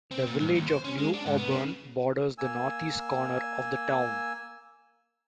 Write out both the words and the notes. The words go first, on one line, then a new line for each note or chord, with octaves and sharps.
The village of New Auburn borders the northeast corner of the town.
C4
A#2
G2
D#2
C5
C#4
G#3
D4
G#2
B3
C#3
A#3 G#5 E6